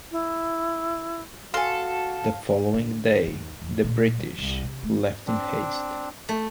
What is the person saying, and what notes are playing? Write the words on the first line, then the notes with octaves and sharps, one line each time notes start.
The following day, the British left in haste.
E4
F#4 A4 F5 G#5 C6
D3
D#2
E2
A#2
F#3
C2
C3
A3
C4 D4
A3